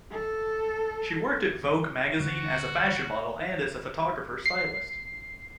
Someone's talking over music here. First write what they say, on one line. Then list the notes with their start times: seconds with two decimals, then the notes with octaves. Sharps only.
She worked at "Vogue" magazine as a fashion model, and as a photographer's stylist.
0.11 A4
2.20 D2 F#4
4.46 C7